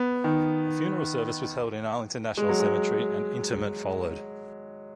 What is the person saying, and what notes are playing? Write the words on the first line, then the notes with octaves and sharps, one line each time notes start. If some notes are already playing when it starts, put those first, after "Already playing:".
A funeral service was held in Arlington National Cemetery, and interment followed.
Already playing: B3
D#3
G#3
F#3
G#3